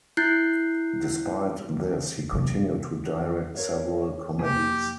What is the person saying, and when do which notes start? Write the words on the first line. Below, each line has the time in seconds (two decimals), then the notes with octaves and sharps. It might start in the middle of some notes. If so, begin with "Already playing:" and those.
Despite this, he continued to direct several comedies.
0.17 E4 F#6 G6 C7
2.32 F#2 C3
3.55 A#4 C#5 F5
4.39 F2 C3 F3 A#3 G4